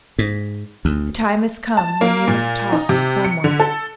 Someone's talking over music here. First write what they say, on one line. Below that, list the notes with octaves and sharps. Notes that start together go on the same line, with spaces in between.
"The time has come when you must talk to some one."
G#2
D2
A5
A#3
A#2
D#4
C3
C#7
D3
A4